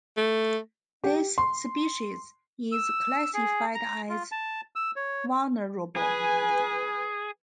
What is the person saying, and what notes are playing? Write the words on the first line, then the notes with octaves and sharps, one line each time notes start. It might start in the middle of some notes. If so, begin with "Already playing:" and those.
This species is classified as vulnerable.
A3
G4
C6
E6
G#4
A#5
F4
A5
E6
C#5
G#4 B4 G#5